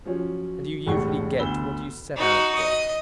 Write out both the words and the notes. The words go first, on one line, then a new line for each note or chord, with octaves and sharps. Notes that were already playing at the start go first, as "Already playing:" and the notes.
And you usually get what you set out for.
F3 F#3 C#4
E1 C2 A2 F#5 C#6
D2 B3 B5 E6 G7
D#4 F#4
D#5